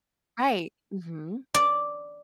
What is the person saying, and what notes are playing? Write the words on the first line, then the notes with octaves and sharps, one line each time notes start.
Right, mhm.
D5